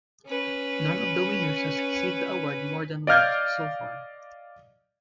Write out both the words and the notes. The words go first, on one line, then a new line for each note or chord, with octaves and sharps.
None of the winners has received the award more than once, so far.
C#4 B4
D5 D#5 F5 F6 G6 G#6